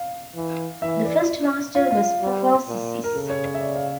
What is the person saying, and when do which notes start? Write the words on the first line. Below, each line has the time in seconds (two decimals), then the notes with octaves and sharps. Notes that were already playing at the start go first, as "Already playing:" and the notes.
The first master was Papasisis.
Already playing: F5
0.35 E3
0.82 E3 E5
1.05 D5
1.75 F4
1.91 F4
2.21 G3
2.68 A#2
3.04 A#4
3.14 C#3 A4
3.30 C#5
3.46 C#5
3.54 E5
3.61 D5
3.76 F5